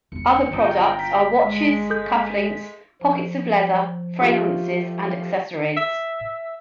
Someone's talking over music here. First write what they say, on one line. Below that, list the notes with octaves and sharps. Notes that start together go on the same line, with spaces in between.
Other products are watches, cufflinks, pockets of leather, fragrances and accessories.
E1 C#3 C#7
G1 G3 F4 G5 A#5
B6
G#3
A4 G6
F3
A3 F4 G4
E5